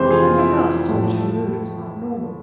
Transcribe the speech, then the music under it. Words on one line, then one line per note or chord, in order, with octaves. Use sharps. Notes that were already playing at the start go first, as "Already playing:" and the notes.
He himself saw that her mood was not normal.
Already playing: F2 C3 E3 G#3 C5
G#4
F4
E4
A2 F3 A3